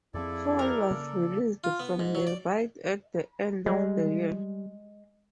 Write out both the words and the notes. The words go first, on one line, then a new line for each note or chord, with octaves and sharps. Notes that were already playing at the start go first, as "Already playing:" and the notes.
Hall was released from the ride at the end of the year.
F2 F3 C4 E4 G#4 A4 D5
A#4
C#3 A#3
F4
B3
G#2
F#3
D5
G3 G#3